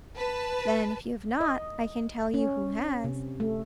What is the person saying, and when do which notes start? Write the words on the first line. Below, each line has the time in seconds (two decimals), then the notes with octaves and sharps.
'Then if you have not, I can tell you who has.
0.17 B4 A5
1.41 D#5
2.34 C#4
3.04 C3
3.40 A3